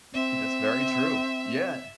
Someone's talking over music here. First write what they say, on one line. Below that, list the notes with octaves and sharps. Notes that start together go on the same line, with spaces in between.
Y y that's very true, yeah.
C4 E5